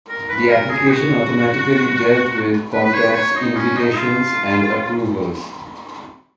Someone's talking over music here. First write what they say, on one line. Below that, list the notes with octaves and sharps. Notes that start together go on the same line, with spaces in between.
The application automatically dealt with contacts invitations and approvals.
A#4
B4
A#4
G#4
F#4
B4
B4
C#5
B4
C#5
D#4
C#4
D#4
F4